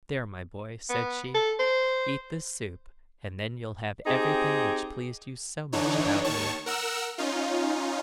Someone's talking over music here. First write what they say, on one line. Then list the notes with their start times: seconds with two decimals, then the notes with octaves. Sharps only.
'There, my boy,' said she, 'eat this soup and then you'll have everything which pleased you so much about me.
0.89 B3
1.35 A4
1.59 C5
4.06 C4 D#4 G4 G#4
5.72 D3 E3 D4 D#4 C#5
6.24 D#2 D#3 C#5 A5 C#6
6.66 A#4 F#5 E6
7.18 C#4 D#4 F4